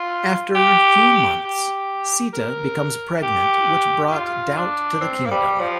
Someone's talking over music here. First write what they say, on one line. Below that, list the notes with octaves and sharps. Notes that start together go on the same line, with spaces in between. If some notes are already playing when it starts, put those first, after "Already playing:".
After few months, Sita becomes pregnant which brought doubt to the Kingdom.
Already playing: F4
G4
G4
A#4
G4
F4
D4
C4
A#3
G3
F3